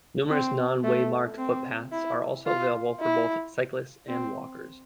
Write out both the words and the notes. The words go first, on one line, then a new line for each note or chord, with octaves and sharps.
Numerous non-waymarked footpaths are also available for both cyclists and walkers.
C4
A3
C4
E4
F4
E4
C4